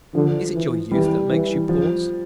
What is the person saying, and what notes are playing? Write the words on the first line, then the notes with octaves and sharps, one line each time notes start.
Is it your youth that makes you pause?
D3 F3
E3
E3 G3
E3
F3